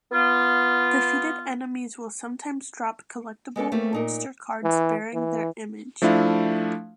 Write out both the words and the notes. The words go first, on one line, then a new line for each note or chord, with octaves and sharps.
Defeated enemies will sometimes drop collectible Monster Cards bearing their image.
B3 F4
G#3 B3 A4 D5
A3 A#3 C4 C#4
A#2 D#4 A#4
E3
E3
F3 A3 D4 E4 F5